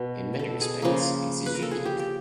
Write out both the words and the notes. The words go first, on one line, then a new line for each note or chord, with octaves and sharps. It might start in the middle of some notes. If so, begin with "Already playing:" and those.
In many respects it is unique.
Already playing: B2
A4
G#4
C#3 F3 A#3
B4
A#4
A4
G#4
G4
G4